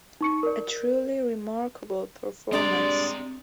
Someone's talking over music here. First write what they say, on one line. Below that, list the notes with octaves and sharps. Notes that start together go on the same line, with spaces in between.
A truly remarkable performance.
D#4 C#6 C#7
A#4 D5
G2 G#3 C4 D5 A#5